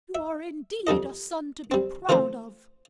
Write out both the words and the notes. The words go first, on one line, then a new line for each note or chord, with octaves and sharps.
"You are indeed a son to be proud of!"
E5
F2 G3 A4 D#5
G3 C4
E3 F3 A3 C4 C5